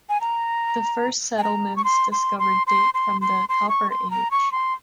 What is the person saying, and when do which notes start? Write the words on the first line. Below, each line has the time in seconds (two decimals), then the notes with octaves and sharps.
The first settlements discovered date from the Copper Age.
0.09 G#5
0.21 A#5
1.38 G#5
1.43 A#5
1.76 C#6
1.84 C6
2.12 C6
2.39 C6
2.67 C6
2.94 C6
3.21 C6
3.49 C6
3.69 C#6
3.90 C6
4.11 A#5
4.31 C#6
4.52 C6